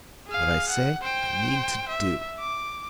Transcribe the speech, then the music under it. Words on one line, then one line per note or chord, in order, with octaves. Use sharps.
What I say, I mean to do!'
G#4 F5
F#5
C5 G5
E5
D6